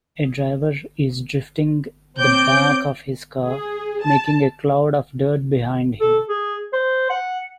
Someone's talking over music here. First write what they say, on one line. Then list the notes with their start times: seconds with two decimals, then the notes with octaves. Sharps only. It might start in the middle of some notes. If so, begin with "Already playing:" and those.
A driver is drifting the back of his car, making a cloud of dirt behind him.
2.19 C4 C#5 D6 G6 D7
3.46 G#4
4.05 A5
6.01 A4
6.29 G#4
6.73 C5
7.10 F#5